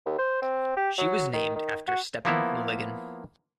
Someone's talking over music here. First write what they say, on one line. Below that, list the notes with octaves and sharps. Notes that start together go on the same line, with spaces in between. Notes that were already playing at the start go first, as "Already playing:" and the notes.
She was named after Stepan Malygin.
D#2
C5
C4
G4
F#3
D#3
D#3
F#4
F3 A#3 B3 E4